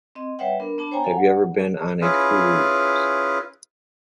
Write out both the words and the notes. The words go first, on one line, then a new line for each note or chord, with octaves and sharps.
Have you ever been on a cruise?
C4 D#5
G3 B4 C#5 E5 F#5 G5
B3 D4 A#4
B3 D4 A5
C5 C#5 G5 G#5 A#5
A4 F5 G#5
C#4 E4 F4 G#4 B4